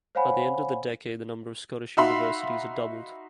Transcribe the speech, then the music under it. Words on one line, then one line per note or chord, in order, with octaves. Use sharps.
By the end of the decade the number of Scottish Universities had doubled.
C5 C#5 F5 F#5 G#5 B5
D#4 F#4 E5 F5 B5 C6